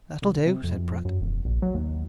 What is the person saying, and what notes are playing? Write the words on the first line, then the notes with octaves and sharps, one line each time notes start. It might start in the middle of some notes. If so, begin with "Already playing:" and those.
"That'll do," said Pratt.
C2
C3
F2
F#2
E1
A#1
F#3
D#2